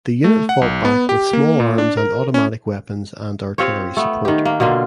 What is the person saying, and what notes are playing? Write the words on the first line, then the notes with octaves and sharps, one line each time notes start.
The unit fought back with small arms and automatic weapons and artillery support.
A3
F#5
B1
B3
G4
A#3
A#2
D4
A#4
C#4
C4 F4 G4 C#5
A3 B3
D#3 G4
A#3
B2 D3 A#3 F4